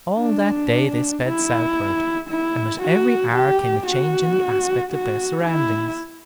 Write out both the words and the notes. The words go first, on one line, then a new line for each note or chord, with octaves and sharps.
All that day they sped southward, and with every hour came a change in the aspect of their surroundings.
D4
E4
E4
F#4
G4
F#4
F#4
E4